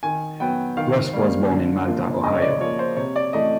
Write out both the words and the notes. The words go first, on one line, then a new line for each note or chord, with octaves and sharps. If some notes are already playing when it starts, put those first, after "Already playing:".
Rusk was born in Malta, Ohio.
D#3 G#5
F#3 B3 G5
D#3 F5
G3 A#3
D3
F3 A#3
C#3 D#5
C#5
D5
F3 A#3 C#5
C5
C3 C#5
D5
E3 A3 D#5